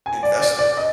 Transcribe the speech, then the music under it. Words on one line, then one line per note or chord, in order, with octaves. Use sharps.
Invest it.
G#5
D5
D5
D5
D#5